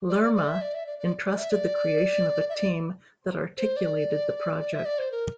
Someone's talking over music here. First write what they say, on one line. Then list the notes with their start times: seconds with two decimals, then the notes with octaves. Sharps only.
Lerma entrusted the creation of a team that articulated the project.
0.09 D5
0.22 D5
0.35 D5
0.48 E5
0.61 D5
0.74 E5
0.86 D5
0.99 D5
1.25 D5
1.38 E5
1.50 D5
2.49 E5
2.54 D5
3.57 C5
3.76 D5
4.73 E5
4.85 D5
4.98 C5
5.11 A#4